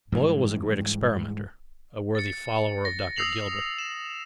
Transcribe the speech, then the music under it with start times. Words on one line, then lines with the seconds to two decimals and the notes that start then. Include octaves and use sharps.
Boyle was a great experimenter, a worthy follower of Dr. Gilbert.
0.12 G#2 E3 G3
2.15 A6 C#7
2.85 A#6
3.16 D#6 E6 C7 F7 F#7
3.78 E7